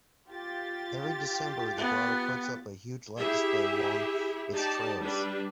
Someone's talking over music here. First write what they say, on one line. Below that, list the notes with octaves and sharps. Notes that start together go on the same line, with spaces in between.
Every December The Grotto puts up a huge light display along its trails.
F4 G4 A6
B3
E4 G4 G#4 E5
D#4 G4 D5 A5
G3 D4 B4